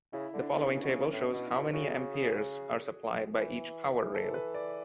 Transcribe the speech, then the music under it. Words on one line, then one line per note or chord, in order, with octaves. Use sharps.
The following table shows how many amperes are supplied by each power rail.
C#3 E4
D3
D4
C#3 B3
C#4
C#3
B2
C#3 B3
A2
C#4
B2
E4
B2
C#3 F#4
G#4
E3
A4
B4
D5